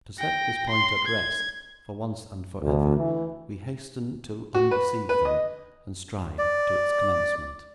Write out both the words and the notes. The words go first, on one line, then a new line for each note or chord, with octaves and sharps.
To set this point at rest, for once and for ever, we hasten to undeceive them, and stride to its commencement.
G5 A#6
C6
G#6
D2
E3
F#4
B4
B4
D#5
D5